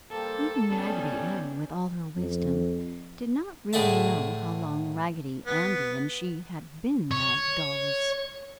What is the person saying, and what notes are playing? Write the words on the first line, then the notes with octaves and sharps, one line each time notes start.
Even Raggedy Ann, with all her wisdom, did not really know how long Raggedy Andy and she had been rag dolls.
G3 A#3 A4 C5
G3 B3 C#4 D4
F2
A2 D3 G#4 A4 E5 A5
B3
C#5